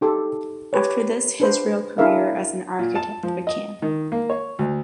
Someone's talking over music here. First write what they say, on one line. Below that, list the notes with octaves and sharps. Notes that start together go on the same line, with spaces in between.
After this his real career as an architect began.
D#4 G4 A4
G4 B4 C#5
D4 B4 C5
D4 E4 G#4 A#4 E5 F5
A#2
A5
F3
D#5
D#3
A#3
C#5
D2